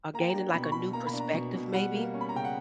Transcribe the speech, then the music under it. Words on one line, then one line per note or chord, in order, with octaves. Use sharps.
or gaining, like, a new perspective maybe?
A#3 A#5
G5
D4 A#5
B2 B5
C#6
B2 B5
A#3 A#5
B5
D4
A#5
B2
B2
G3 F#5
A#3
C#4
B5
A#5
C#3 G5
F#5